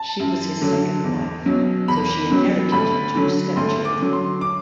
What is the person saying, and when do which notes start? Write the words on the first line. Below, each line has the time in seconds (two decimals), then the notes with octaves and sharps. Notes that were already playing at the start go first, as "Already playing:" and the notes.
She was his second wife so she inherited two step children.
Already playing: A5
0.19 F#2
0.62 D3 F#3
1.04 E2
1.46 B2 F#3
1.88 E2 B5
2.30 B2 F#3
2.72 D2 B5
3.15 D3 F#3
3.56 D2 C6
3.85 D6
3.99 D3 F#3
4.13 C6
4.41 D6